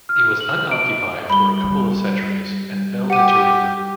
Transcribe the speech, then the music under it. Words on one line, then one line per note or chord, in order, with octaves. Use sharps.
It was unoccupied for a couple of centuries and fell into ruin.
F6
F#7
D7
G3 B5 G7
G4 F#5 D#7